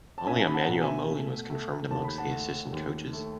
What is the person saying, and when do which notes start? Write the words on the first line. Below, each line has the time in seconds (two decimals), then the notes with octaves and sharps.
Only Emanuele Molin was confirmed amongst the assistant coaches.
0.18 A5
0.26 C#4 E5 G#5
0.47 B5
0.54 F#5 A5
0.68 B2
0.81 E5 G#5
1.09 A3
1.50 A3
1.90 D#2 A5
2.04 B5
2.18 F#5 A5
2.31 A3
2.73 D#2
3.13 A3